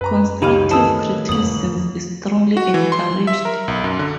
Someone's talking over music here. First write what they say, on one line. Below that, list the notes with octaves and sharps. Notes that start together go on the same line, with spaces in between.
Constructive criticism is strongly encouraged.
F#2 B4 A#5
C#2 D#3 D#4 G4 F5 B5 F6 D#7
A2 D#3 E3 A#3 A5 D#6 E6
G1 C2 F2 D#6 F#7
F#4
E3
C6
E5
A#4
B1
F#2
D3